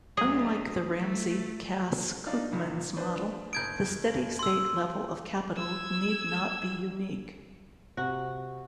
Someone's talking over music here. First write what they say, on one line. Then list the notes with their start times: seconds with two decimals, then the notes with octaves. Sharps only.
Unlike the Ramsey-Cass-Koopmans model the steady state level of capital need not be unique.
0.17 D2 F#3 G#4 D#5
0.97 A3
2.26 D4 D#4 F4
2.51 C#2 A#2 D#3
2.96 D4 B4 C5
3.53 F#1 D#6 G6 G#6 D7
4.39 C6 E6
5.57 E6 G#6
7.97 C3 F#4